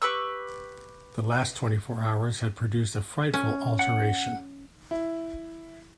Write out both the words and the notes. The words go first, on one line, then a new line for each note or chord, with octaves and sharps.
The last twenty-four hours had produced a frightful alteration.
G4 B4 C#6 E6
C#4
F#5
E4